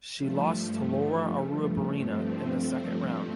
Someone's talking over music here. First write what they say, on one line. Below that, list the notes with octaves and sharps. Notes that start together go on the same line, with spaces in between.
She lost to Lara Arruabarrena in the second round.
G2 F3 A3
C4